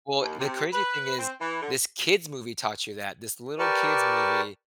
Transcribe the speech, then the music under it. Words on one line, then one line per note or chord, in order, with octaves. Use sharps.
Well, the crazy thing is this kid's movie taught you that. This little kid's movie
D#2
C3
B4
C4
E3
D3
G4 A#4 B4 D5 A5 C#6